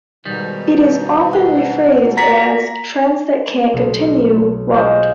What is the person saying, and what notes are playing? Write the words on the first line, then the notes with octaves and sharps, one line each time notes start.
It is often rephrased as: Trends that can't continue, won't.
G#2 B2 D#3 G3
F#5
F4 F#4 D5 A#5 B6
B1
G#3 F4 C5